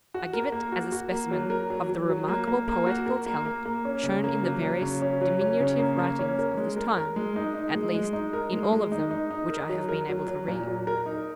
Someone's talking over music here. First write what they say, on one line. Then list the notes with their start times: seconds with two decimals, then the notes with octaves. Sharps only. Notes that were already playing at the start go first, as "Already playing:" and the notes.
I give it as a specimen of the remarkable poetical talent shown in the various diminutive writings of this time; at least, in all of them which I have been able to read.
0.14 F#4
0.33 A#4
0.52 A#3
0.72 F#4
0.92 F#4
1.12 A#3
1.31 F#3
1.50 A#4
1.70 F#3
1.89 F#3
2.09 F#3
2.28 A#3
2.47 A#3
2.68 A#3
2.86 F#4
3.06 A#4
3.26 A#3
3.46 A#3
3.66 A#3
3.85 C#4
4.03 C#3
4.24 A#3
4.43 F#3
4.62 F#3
4.81 C#3
5.02 C#4
5.21 F#3
5.41 C#4
5.60 C#3
5.79 A#3
5.99 A#3
6.19 C#4
6.39 A#4
6.57 G#3
6.76 A#4
6.97 A#4
7.16 G#3
7.36 D#4
7.54 D#4
7.75 G#3
7.94 G#3
8.13 D#4
8.33 A#4
8.53 G#3
8.73 G#3
8.92 D#4
9.11 D#4
9.31 D#4
9.50 A#4
9.69 F#3
9.89 A#4
10.09 F#3
10.28 F#3
10.48 A#2
10.67 F#3
10.87 A#4
11.06 D#4